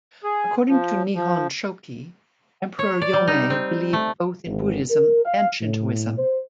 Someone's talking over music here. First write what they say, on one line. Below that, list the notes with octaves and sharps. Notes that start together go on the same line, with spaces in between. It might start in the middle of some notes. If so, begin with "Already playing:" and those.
According to Nihon Shoki, Emperor Yomei believed both in Buddhism and Shintoism.
G#4
F3
F3
C#5
D5
G3
D#4
C4
A3
G#1
A#4
F5
A2
C5